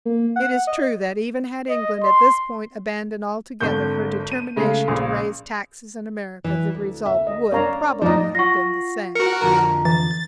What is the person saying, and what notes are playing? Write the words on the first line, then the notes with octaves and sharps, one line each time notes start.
It is true that even had England at this point abandoned altogether her determination to raise taxes in America the result would probably have been the same.
A#3
F#5
D#5
D#5
C6
G#1 D3 G6
D#7
C#3 G#3 A3
A#1 C#3 G#4
E3
D2
E5
D#5
C#4 D4 A#4 C#5 F5 A#5
A2 F3 D#4 D5 D#5 A#5
F4 F#5 C#6 A#6
F#4 A#4 C#7
F2 D3 F3 A#5
E3 A6